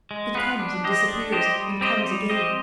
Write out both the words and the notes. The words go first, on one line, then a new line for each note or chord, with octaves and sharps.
It comes and disappears, and comes again.
G#3
B3 F4 B4
D4
G4 C5 D#5
D4
G4 C5 D#5
G3
C4 G4 C5 D#5
G3
C4 G4 C5 D#5